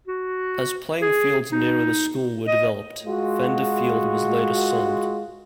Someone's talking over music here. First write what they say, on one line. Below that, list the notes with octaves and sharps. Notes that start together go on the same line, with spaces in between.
As playing fields nearer the school were developed, Fender Field was later sold.
F#4
G#4
D#4
D#5
G#3 F4 F#4